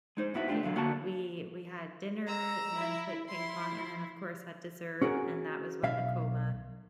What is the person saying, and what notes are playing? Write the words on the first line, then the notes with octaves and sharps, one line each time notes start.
Yeah, we we had dinner and then played ping pong and then, of course, had dessert, and that was when the coma
G#3 D#4 C5
G#2 B3 E4 F#4 E5
A3 C4 D4 F4 G4
B1 D3 F#3 F5
D3 A#3 F#4 F5 G#5 A5
A#5 E6
E4
E4 C6
C#4 F#4 G#4 A#4
B1 E5 F5